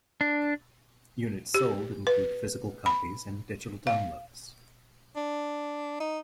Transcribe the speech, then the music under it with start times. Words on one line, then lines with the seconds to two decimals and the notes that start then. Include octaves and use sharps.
Units sold include physical copies and digital downloads.
0.21 D4
1.54 G4
2.07 B4
2.86 B5
3.87 F5
5.16 D4
6.00 D#4